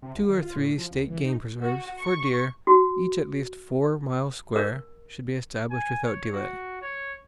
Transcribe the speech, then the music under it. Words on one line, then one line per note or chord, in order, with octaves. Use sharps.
Two or three state game preserves, for deer, each at least four miles square, should be established without delay.
C3
B1
D#3
F4
A2
F3
C#2
E3
D#4
F#4
C#6
F#4
A#4
G#5
C#5
F#4
C#5